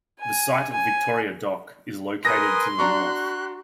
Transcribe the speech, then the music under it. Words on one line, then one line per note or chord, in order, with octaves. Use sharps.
The site of Victoria Dock is located to the north.
G#5
G#5
A#4 B4 G#5 C6 D#6 A#6
D4 F#4 A#5 C#6 F#6